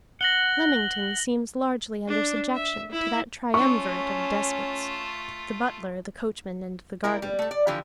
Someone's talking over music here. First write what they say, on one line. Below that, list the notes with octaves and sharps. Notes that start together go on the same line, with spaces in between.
Leamington seems largely under subjection to that triumvirate of despots--the Butler, the Coachman and the Gardener.
F#5 A#6 F#7 G7
D4
E5
E4
A3 C#4 F4 C#6
G3 E4 A#4
G3
A3 A4
D5
D3 E3 F3 G4